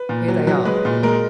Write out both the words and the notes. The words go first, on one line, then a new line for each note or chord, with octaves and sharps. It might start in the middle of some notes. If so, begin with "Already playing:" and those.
"Here they are."
Already playing: B4
A#2
F#3
F#3
G#3 B4
A#2
G#3 A#4